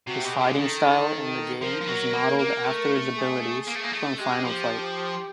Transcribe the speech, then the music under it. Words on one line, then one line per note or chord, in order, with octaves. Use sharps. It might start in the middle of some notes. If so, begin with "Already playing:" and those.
His fighting style in the game is modeled after his abilities from "Final Fight".
C3 F#4
B2 G4
G#4
D3
D#3 A4
F3 A#4
F3
F#3
A#3
A#3
A3
G#4
A#3
A3
A#3
A3
G#3 G4
F3